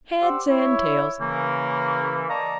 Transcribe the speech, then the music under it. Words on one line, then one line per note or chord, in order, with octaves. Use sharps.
Heads and tails.
G4 C5 D5 F#5 D6 E6
E4 C#5
C#3 E3 A#3
D5 D#5 F5 A5 A#5 C#6